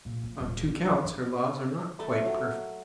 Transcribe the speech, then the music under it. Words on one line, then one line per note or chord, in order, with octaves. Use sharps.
On two counts, her laws are not quite perfect.
A#1
F3
D#1
D#4
D3
D#4
A3
F#3